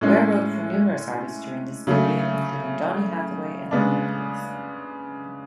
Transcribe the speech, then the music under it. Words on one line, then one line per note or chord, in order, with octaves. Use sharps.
Ware wrote for numerous artists during this period including Donny Hathaway and The Miracles.
A2 G#3 C#4
C#3 F#3 A3
C#3 G#3 B3 D4